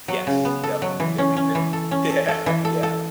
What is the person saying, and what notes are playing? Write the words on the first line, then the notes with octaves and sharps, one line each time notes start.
Yes, yep. Yeah, we couldn't yeah, yeah.
F#3
C#3
B3
A4
F#3
E3
C#4
C#4
E3
A4
C#4
A4
A4
E3
A4
A4